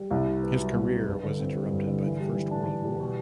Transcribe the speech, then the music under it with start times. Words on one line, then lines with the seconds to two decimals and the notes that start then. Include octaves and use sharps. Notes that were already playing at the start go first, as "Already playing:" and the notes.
His career was interrupted by the First World War.
Already playing: G3
0.11 C2
0.27 C3
0.43 B3
0.58 F#3
0.74 C2
0.92 C3
1.07 G2
1.23 D3
1.39 C4
1.55 G3
1.71 G2
1.87 D3
2.04 E3
2.20 G3
2.36 E3
2.51 D4
2.68 E3
2.84 G3
3.00 B2